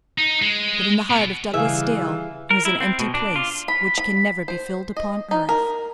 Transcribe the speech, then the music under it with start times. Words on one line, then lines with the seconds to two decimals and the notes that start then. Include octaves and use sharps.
But in the heart of Douglas Dale there is an empty place which can never be filled upon earth.
0.18 D#4
0.42 G#3
1.10 B2
1.53 C#3 E3 G3 G#4 E5 F5
2.51 A#4
2.65 E4
2.81 C4
3.00 B2
3.14 D4
3.36 F4
3.68 B5
3.98 B5
4.48 C5
4.97 D#5
5.31 D#4
5.49 A#4